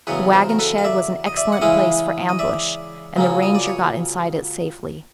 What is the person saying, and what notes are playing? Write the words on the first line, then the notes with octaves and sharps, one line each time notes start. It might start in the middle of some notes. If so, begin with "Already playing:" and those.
The wagon-shed was an excellent place for ambush; and the ranger got inside it safely.
E2 C#3 F#3 B3 B4 C#5
A#4 C5
A#4
A4 B4
F5
D5 E5
D#5
D5 E5
F#5
C#3 E3 G#3 C#4 E4 D#5 F5
D#5
D5 E5
C#2 C#3 F#3 A#3 C#4
D#5
D5
C#5